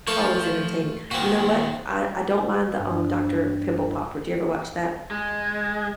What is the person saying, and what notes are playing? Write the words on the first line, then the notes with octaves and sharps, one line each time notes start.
always entertaining. You know what? I I don't mind the, um, Dr. Pimple Popper, do you ever watch that?
F3 A3 F4 C#6
A#2 D#3 C4 F#4
G2
G#3